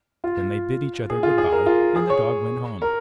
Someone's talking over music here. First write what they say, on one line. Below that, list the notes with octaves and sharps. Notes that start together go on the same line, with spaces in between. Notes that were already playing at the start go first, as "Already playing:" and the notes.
Then they bid each other good-by and the Dog went home.
F4
G#4
F4
G#4
A#4
F4
G#4
C#5
A#4